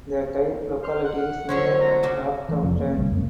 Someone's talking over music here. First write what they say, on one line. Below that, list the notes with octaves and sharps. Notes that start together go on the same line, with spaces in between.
The type locality is near Rockhampton.
C5 C6 F6
F#5
F#2 D3 F3 C#5
G#3 B3 A#5
C#3 D4 F#4
E3 A3
F1 F3
A#3
G1 C2 B2
F#2 G#3 A#3